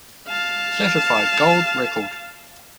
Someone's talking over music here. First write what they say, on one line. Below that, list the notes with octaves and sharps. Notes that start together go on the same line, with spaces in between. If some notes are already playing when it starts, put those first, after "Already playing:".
Certified Gold Record.
F5 A5